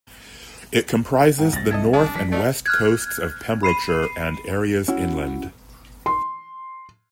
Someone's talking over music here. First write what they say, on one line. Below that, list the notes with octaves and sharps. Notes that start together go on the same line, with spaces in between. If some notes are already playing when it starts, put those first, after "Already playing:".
It comprises the north and west coasts of Pembrokeshire and areas inland.
G#2 C4
C2 A6 A#6
E4 A4 D#5
D4 G#4
F3 G3 B6
A3 D5 D#5 F5
F6 F#6 G#6
B5 C7 D#7
C#4 E4 F#4
C6